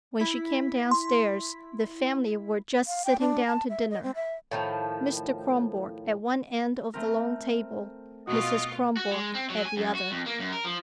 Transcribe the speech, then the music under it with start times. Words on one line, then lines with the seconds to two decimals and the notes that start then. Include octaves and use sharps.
When she came downstairs the family were just sitting down to dinner, Mr. Kronborg at one end of the long table, Mrs. Kronborg at the other.
0.20 E4 B6
0.91 C6
2.87 F5
3.05 G5
3.20 D4
3.47 A5
3.69 E5
3.90 D#5
4.03 C4
4.15 E5
4.51 A2 D#3 F3
6.94 A3 C4 A#4
8.27 B2 F4 F#4 D#5
8.97 F#4
9.12 G#3
9.35 C4
9.50 F#3
9.65 G#5
9.77 F#2
9.95 F#4
10.12 F2
10.26 A#3
10.40 F#2
10.52 A#4
10.65 F3